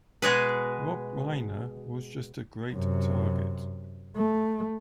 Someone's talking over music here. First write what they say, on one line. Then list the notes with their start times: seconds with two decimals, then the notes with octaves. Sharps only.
Rob Reiner was just a great target.
0.22 B2 G#3 G#4 B4
2.73 F#2 C3
4.16 A3